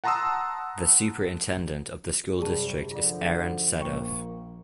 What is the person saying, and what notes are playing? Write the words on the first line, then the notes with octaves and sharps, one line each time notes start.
The superintendent of the school district is Aaron Sadoff.
F#5 A5 A#5 C6 D#6 E6
F#2 C3 G3 G#4 A5
F#2 D3 F3 F4 D5
F#4
A#1 A#3 F4 G5 C#6